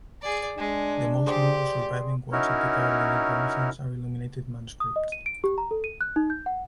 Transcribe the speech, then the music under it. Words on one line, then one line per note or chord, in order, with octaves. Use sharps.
The most numerous surviving works of the Carolingian renaissance are illuminated manuscripts.
G#4 D5
G#3 D4
G4 G#4 C5 D5
C#4 D#4 E4 F#4 A#4 C#5
D#6
D#5
D#7
D7
G4
A#5
A4
D#7
F#6
D#4
G6
F#5